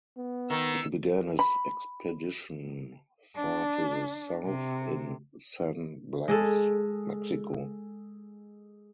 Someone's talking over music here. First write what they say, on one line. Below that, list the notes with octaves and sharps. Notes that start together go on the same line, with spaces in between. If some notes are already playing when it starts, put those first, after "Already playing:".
He began his expedition far to the south in San Blas, Mexico.
B3
D#3 E6
B5
D4
C3
G#3 G#4 A4